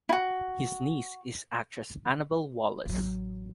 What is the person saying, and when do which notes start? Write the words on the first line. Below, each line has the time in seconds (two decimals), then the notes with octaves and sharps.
His niece is actress Annabelle Wallis.
0.09 E4 F#4
2.86 A1 F#3